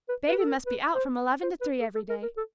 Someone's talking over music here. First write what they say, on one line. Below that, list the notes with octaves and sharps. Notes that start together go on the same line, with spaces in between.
Baby must be out from eleven to three every day.
B4
B4
A4
A#4
B4
C5
C5
B4
A4
A4
A#4
A#4
A4